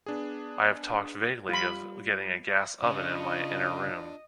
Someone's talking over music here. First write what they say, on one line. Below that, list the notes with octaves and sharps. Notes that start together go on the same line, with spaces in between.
I have talked vaguely of getting a gas oven in my inner room.
B3 D4 G#4
G3 F4 B5
C#3 D4 F4 D#5